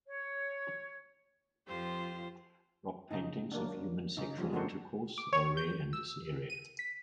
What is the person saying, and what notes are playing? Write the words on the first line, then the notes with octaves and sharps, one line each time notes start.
Rock paintings of human sexual intercourse are rare in this area.
C#5
F2 F4 G4 C5
C#3 D#4
F#3 A#3 D4
C#3 D#4
F3 G3 G#3
C#3 A#3 D4 F#4 A4 C5
D6
C#5
G6
E6
D#7
B6